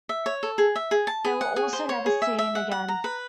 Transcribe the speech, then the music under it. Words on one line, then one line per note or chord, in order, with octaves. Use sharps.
They also were never seen again.
E5
C#5
A4
G#4
E5
G#4
A5
G#4
F#5
G#4
C5
C#5
G#4
E5
E5
F#5
F#5
A#5
B4